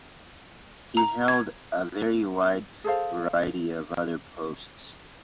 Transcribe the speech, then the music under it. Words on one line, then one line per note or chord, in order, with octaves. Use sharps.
He held a very wide variety of other posts.
A#5
G#6
G#4 A4 C5 F5